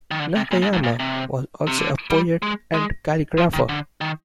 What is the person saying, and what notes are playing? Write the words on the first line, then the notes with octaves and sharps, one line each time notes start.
Nakayama was also a poet and calligrapher.
D#3
D3
C3
A#2
G#2
G#2
A#2
C3
C3
D3
G3
G#3
G#3
F3
D#3
D3
D#3